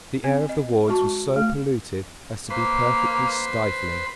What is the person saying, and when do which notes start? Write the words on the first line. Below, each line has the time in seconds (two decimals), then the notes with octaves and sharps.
The air of the wards was so polluted as to be perfectly stifling.
0.24 C4
0.49 D#5
0.88 G#3 F#4 A5 C#6
1.36 A3
2.50 A#3 B4 C5